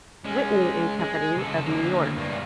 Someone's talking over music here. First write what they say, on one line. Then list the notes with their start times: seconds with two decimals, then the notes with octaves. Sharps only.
Whitney and Company of New York.
0.25 G#3 C#4
1.00 G#3
1.36 C#2 A4
1.65 D2 A#3
2.17 G2 A#3